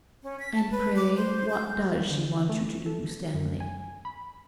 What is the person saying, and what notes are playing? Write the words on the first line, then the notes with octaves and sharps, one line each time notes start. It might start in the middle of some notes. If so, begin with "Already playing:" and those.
'And pray, what does she want you to do, Stanley?'
C#4
B6
A5
B4
D6
C5
G6
D3
A3
A4
F#2
G#5
B5